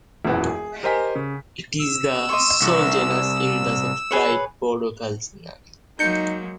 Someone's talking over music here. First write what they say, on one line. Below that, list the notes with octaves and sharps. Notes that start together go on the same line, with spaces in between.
It is the sole genus in the subtribe Podocalycinae.
E1 A#1 F#2 E4 F#4 B4
G#4
G4 A#4 C5 D#5 G#5 B6
C#3
E6
D#5 C6 C#6
C2 C#6
G#4 B4 C#5
F#3 G#3 A#3 D#4 G6 C#7